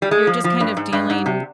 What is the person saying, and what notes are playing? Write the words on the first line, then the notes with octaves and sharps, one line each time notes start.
you're just kind of dealing
G3
G#3
F3
F3
G2
G#2
G2
G#2
C3